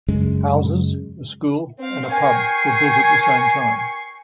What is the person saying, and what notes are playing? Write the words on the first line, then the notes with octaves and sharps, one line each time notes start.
Houses, a school and a pub were built at the same time.
F#2 C#3 G#3
C4 F5
A#4 G5 G#5 C#6 C7